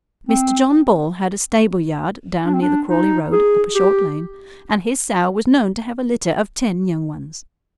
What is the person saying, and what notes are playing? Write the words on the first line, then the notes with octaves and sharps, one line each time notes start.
Mr. John Ball had a stable yard down near the Crawleigh Road, up a short lane, and his sow was known to have a litter of ten young ones.
C4
D4
C4
D4
D#4
G#4
G4